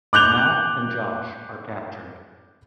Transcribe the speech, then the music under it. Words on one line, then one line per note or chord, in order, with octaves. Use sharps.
Mac and Josh are captured.
D6 F#6 G6 F7 G7